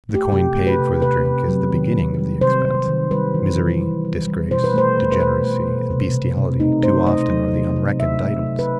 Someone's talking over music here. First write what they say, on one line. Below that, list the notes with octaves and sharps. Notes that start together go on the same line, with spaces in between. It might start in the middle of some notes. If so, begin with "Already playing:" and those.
The coin paid for the drink is the beginning of the expense; misery, disgrace, degeneracy, and bestialty too often are the unreckoned items.
A3
G4
C3 G4
A3
B4
C3
C3 B4
C3
F#3
D#3
D#3
G3
C3 C5
C3
D#3
G3 B4
E3
E3
G3
G3
G3
B2 C5
B4
A3 C5
A3
B4
B2 C5
A3
B2
C3
C3
C3
A3 D#4
A3 C5
A3 D#5
F#3
C3
C3
C3 E5
A3
C3
B4